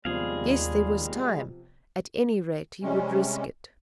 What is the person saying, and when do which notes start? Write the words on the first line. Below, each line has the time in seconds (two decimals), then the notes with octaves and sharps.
Yes, there was time; at any rate he would risk it.
0.05 D#2 C3 F3 G3 G#3 B3 G#4 F5
2.83 C3 G3 G#3 C#4